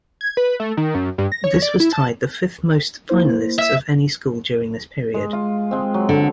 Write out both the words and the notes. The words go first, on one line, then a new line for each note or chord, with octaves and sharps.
This was tied the fifth most finalists of any school during this period.
G#6
B4
A3
D#3
F#2
G2
A#6
C#5
D5
E4
A5
A#3 E4 C5
E5
G#3
F4
G#3 C4
F#3
D3